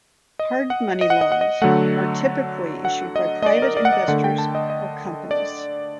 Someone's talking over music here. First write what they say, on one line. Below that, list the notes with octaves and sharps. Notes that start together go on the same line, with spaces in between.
Hard money loans are typically issued by private investors or companies.
D#5
F#5
D#5
F#5
D#5
F#5
D#5
D3 F#3 A3 F#5
F#5
D#5
D#5
D5
A#4
D5
F#5
D#5
D3 A3 F#5
G5
A5
D#5
D#5
D5